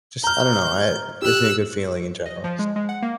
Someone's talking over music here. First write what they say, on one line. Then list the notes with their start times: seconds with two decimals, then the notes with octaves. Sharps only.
just, I don't know I gives me a good feeling in general,
0.24 A#5 F6 G6
1.22 G4 E6 F#6
2.26 D#5
2.44 F3
2.59 G#3
2.76 G#3
2.89 F#5
3.02 A#3